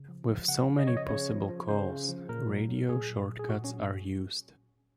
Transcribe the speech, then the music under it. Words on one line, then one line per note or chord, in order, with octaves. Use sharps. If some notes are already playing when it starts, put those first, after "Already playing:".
With so many possible calls, radio shortcuts are used.
Already playing: C#3
F3
F3
C#3 F#5
C#3
D#5
F3 C#5
D#5
C#3 C#5
F3
F3
C#3 C5
C#3
F3
A#2 A#4
F#3
F#3
A#2 G#4
A#2
F#3
G#4
A#2 F#4
C#4
F#3